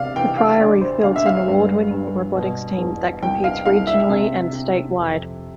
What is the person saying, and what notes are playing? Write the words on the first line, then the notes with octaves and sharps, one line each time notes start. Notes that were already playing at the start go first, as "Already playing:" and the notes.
The Priory fields an award-winning robotics team that competes regionally and statewide.
Already playing: C3 D5 F5
E3 G5
F5
D2 D5
C5
D2 F5
E5
F5
G2
G2
B2
E2
C2 G5
F5
C2 F5
E5
C3
C3
F2